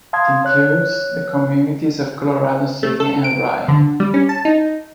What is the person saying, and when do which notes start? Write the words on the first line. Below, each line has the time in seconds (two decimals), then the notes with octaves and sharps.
It includes the communities of Colorado City and Rye.
0.13 F5 A5 C6 D#6 G#6
0.45 C#5 F#6
2.83 A3
3.00 A4
3.24 D7
3.68 D3
4.00 G3
4.14 C#4
4.29 A5
4.45 D#4